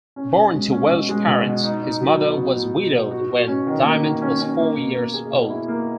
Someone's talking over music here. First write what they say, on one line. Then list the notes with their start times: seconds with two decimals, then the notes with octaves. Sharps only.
Born to Welsh parents, his mother was widowed when Dyment was four years old.
0.16 C#4
0.36 B2
0.53 G#3
0.72 C#4
0.91 B2
1.09 G#3
1.27 B2
1.46 B2
1.63 D#4
1.83 D#4
2.00 F#3
2.18 B3
2.38 B2
2.55 B3
2.74 B2
2.92 B2
3.11 F#4
3.29 F#4
3.48 C#4
3.67 D#3
3.84 A#3
4.03 D#3
4.22 C#4
4.40 C#4
4.59 A#3
4.77 B2
4.95 A#3
5.13 G#4
5.32 B2
5.50 E4
5.68 A#3